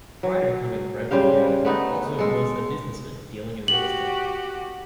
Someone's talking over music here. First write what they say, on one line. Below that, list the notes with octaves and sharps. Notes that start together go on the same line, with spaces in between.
Prior to becoming Rebbe of Ger, Alter was a businessman dealing in real estate.
F#3
C#3 G3 C5 F5
A3 B3 D#4
G#3 A4
F#4 G4 F#7